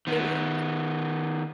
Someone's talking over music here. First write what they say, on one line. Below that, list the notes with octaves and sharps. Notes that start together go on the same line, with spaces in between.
You you
D#3 B3